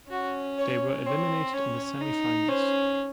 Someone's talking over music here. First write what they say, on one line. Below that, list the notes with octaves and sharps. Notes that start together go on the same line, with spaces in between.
They were eliminated in the semifinals.
C#4 F#4
C#5
C4 C#5
C#4 C#5
D#4
C#4 C5